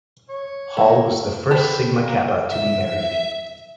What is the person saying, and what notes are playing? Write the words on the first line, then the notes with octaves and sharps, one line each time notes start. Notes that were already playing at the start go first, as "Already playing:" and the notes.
Hall was the first Sigma Kappa to be married.
C#5
A3 A#3
G4 A4 B4 C5
A#3
E5